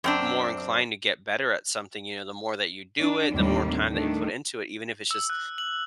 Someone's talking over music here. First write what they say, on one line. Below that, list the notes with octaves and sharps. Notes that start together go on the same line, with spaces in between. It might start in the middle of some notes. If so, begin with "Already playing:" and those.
more inclined to get better at something, you know, the more that you do it, the more time that you put into it, even if it's just,
F#2 C4 D4
D4
D#2 A2 C3 G3 A#3 D4
D#3 A3 D4
E6
F#6
F#7